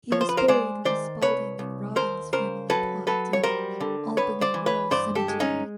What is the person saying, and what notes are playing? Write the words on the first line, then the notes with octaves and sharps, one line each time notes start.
He was buried in the Spalding and Robbins family plot in Albany Rural Cemetery.
F3 C#5
C5
B4
A#4 C5
G#3 C5 D5
D#3 C5 D5
C2 B4 C#5
C2
D#2 A#4 C5
C#3 A#4 C5
F#3 A4 B4
F#3 A4 B4
C#5
G3 A#4 C5
D3
D2 B4 C#5
C5 D5
E3
B4 C#5
G2 C5 D5
G4 A4
G#3
C#4 D#4